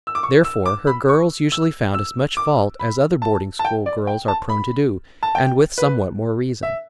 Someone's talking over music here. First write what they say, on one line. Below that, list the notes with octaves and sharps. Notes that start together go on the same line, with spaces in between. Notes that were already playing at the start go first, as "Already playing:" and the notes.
Therefore her girls usually found as much fault as other boarding school girls are prone to do, and with somewhat more reason.
E6
D6
C#6
E6
D6
B5
C#6
E6
E6
D6
B5
A5
A5
G5
D5
G5
A5
B5
A5
G5
B4
E5